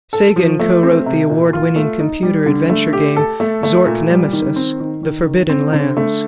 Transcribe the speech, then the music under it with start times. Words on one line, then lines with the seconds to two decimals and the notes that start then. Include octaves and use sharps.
Sagan co-wrote the award-winning computer adventure game, Zork Nemesis: The Forbidden Lands.
0.13 A4
0.36 F3
0.59 A3
0.83 C4
1.06 C3
1.30 A#2
1.53 F4
1.76 A3
1.99 D#4
2.23 G3
2.46 D3
2.70 A3
2.93 G4
3.16 A4
3.40 A3
3.63 A3
3.86 A#2
4.10 G3
4.33 D#3
4.56 C4
4.80 D#3
5.03 D#3
5.26 D#3
5.49 C4
5.73 D3
5.97 A3